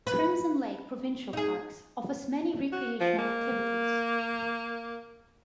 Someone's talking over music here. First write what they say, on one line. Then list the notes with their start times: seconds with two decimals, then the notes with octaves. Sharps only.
Crimson Lake Provincial Parks offers many recreational activities.
0.07 B4
1.33 D#4 G#4
2.72 F#4
3.00 F3
3.19 A#3